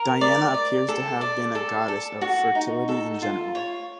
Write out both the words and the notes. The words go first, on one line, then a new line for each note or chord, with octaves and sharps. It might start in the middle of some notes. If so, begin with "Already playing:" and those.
Diana appears to have been a goddess of fertility in general.
Already playing: A#4
D5
D5
A4
D5
A4
A4
F#4
D#4
A4
F4
C#5